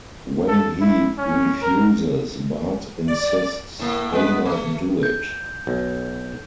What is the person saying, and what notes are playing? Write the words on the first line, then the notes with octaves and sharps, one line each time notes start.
When he refuses, Bart insists Homer do it.
A4
E4
C#4
A#4
D5
A2 A#3
G#3 B3 B4
A3
G6
B1